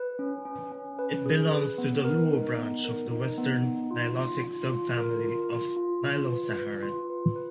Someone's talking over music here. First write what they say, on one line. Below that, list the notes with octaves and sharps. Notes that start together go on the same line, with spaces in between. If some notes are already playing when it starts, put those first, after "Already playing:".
It belongs to the Luo branch of the Western Nilotic subfamily of Nilo-Saharan.
Already playing: B4
C#4
C#4
C#4
B4
G#4
B4
B3
A#4
D#4
B3
A#4
D#4
B3
D#4
F4
F4
F4
F4
A#4
F4
F4
F4
F4
B4
B4
F4
B4
B4